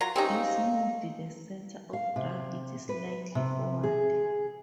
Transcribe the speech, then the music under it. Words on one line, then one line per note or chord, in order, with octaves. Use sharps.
This moved the center of gravity slightly forward.
F#3 F4 A#5
C4 C#4 D#4 G4
F5
F5
C3
B4
C3
G#4